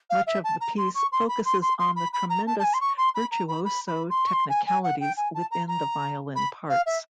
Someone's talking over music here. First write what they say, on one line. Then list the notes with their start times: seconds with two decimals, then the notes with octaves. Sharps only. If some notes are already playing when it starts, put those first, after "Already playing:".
Much of the piece focuses on the tremendous virtuoso-technicalities within the violin parts.
0.10 F5
0.26 E5
0.43 A5
0.60 A#5
0.77 C6
0.94 C#6
1.12 C6
1.28 B5
1.45 C6
1.61 C6
1.79 C6
1.96 B5
2.13 B5
2.29 A#5
2.46 A5
2.59 A5
2.63 G#5
2.73 C6
2.80 C#6
2.97 C6
3.14 B5
3.31 A#5
3.48 B5
3.64 B5
3.87 B5
4.09 C6
4.26 C#6
4.32 C6
4.49 G#5
4.66 G#5
4.83 F#5
5.00 G5
5.16 G#5
5.34 A5
5.51 A#5
5.68 A#5
6.35 B5
6.69 F5
6.86 E5